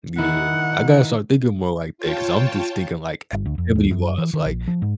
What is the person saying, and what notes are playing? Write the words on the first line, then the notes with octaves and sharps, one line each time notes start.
Yeah. I gotta start thinking more like that 'cause I'm just thinking, like, activity-wise. Like,
D#3 D#4 E4 F#5
F4 C#5 G5 A5
G1
D2
F2
D#2
F#2
E3
D#3
A#1
F3
G#2